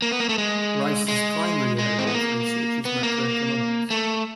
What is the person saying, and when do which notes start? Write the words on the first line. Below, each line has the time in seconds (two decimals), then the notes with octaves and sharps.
Reis's primary area of research is macroeconomics.
0.02 A#3
0.11 B3
0.20 A#3
0.29 A3
0.38 G#3
1.08 G#3
1.79 G#3
1.99 C4
2.07 B3
2.15 A#3
2.85 B3
3.03 A#3
3.91 A3